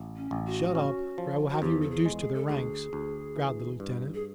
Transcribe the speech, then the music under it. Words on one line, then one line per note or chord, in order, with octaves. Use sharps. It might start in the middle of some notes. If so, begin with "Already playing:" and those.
"Shut up, or I will have you reduced to the ranks," growled the Lieutenant.
Already playing: A1
C#4
A1
F#4
C#4
F3
F#4
E2 G4
A4
G#4
G#3
G#4
A4
D2 G#4
D2
E3
G2
G#4